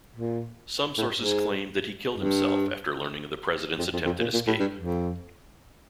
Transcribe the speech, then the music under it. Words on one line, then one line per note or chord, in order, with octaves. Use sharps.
Some sources claimed that he killed himself after learning of the President's attempted escape.
A#2
A2
G#2
G2
F2
F2
F2
A#2
A#2
A2
G2
F2